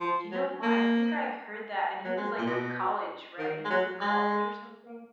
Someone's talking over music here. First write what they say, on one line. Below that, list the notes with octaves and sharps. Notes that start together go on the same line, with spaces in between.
You know what? I think I heard that, and he was, like, college, right? He was in college or something.
F3
F#3
A#3
F#3
G#3
A#2
B2
D#3
G#3
F#3
G#3